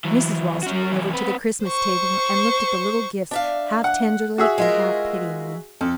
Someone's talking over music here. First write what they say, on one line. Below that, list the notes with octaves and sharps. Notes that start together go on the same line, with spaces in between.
Mrs. Ralston went over to the Christmas table and looked at the little gifts half tenderly and half pityingly.
E3 F#3
C#4 F#4
C3 E3
C4 B4
C5 C#6
D4 E5 F5
F#5
F#4 G#4 E5
G#3 F4 A#4
F2 A4